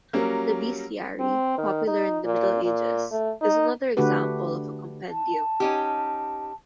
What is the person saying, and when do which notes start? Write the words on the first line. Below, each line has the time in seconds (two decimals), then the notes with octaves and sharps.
The bestiary, popular in the Middle Ages, is another example of a compendium.
0.13 F#3 G3 A#3 C#4 A#4
1.20 C4
1.58 D#3
1.87 D#4
2.24 A#2
2.64 A#2
3.11 A3
3.42 D#4
3.97 D3 A3 D4 F#4 G4 B4
5.10 A5
5.60 C#4 D#4 G4